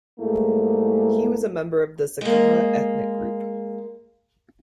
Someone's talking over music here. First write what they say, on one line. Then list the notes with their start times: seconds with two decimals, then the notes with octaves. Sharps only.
He was a member of the Nzakara ethnic group.
0.20 G#2 G3 A3 A#3 E4 G#4
2.21 G#3 A#3